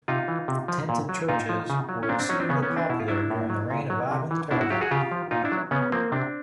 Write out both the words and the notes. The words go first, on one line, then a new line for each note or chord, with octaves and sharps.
Tented churches were exceedingly popular during the reign of Ivan the Terrible.
C3 D#4 F4
E3
C3
F3
A#2
F#3
A#2 D#4 F4
F3
C#3
F#3
C#4
A#2 C4 D4
C4 D4
F#3 C#4 D#4
C4 D4
C#3 B3 C#4
B3 C#4
E3
C4 D4
B2 E4
F4
F#3 D4 E4
A2
F#3
A#2
F#3
C3
E3
B2 D4 E4
E4 F#4
F#3 F4 G4
F#4 G#4
C#3 F4 G4
F3
A#2 D#4 F4
D4 E4
F#3
C#3 B3 C#4
F3 A#3 C4
C3 C4 D4